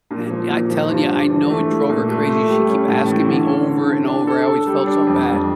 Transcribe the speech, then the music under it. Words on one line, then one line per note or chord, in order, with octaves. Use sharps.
And yeah, I'm telling you, I know it drove her crazy. She'd keep asking me over and over, I always felt so bad
A#2
F3
A#2
F3
G2
D4
E3
A3
A3
A#2
A3
A3
G3
C#4
A2
E3
D3
C#4
D3
D3
D4
A4
A4
G3
D4
F2
F2